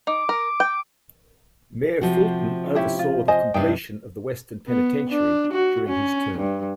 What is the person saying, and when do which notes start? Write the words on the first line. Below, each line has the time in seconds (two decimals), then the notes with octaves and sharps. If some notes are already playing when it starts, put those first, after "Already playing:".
Mayor Fulton oversaw the completion of the Western Penitentiary during his term.
0.07 D#4 D6
0.29 A#4
0.60 G5
2.01 C3 F3 F#4
2.75 C#4 E4 G4
2.99 F4
3.28 C5 D#5 G#5
3.54 G2 C3 D#4 D5 G5
4.67 B3
5.10 D4
5.53 F#4
5.88 C#4
6.39 G2